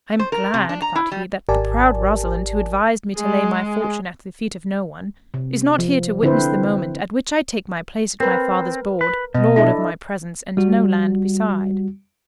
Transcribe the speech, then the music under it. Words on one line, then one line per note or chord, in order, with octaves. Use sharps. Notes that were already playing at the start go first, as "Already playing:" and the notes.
"I am glad," thought he, "that the proud Rosalind, who advised me to lay my fortune at the feet of no one, is not here to witness the moment at which I take my place at my father's board, Lord of my presence and no land beside!"
C5
A#4
C3
D4
A#5
E4
G3
G#1 G4 A#4 D5 G#5 A5
G#3 G#4
C3
F3
D3 C4 E4 B4 C5
C4 A#4 B4
B4
B2 D#5
D4 E4 A4 E5
G3 F#4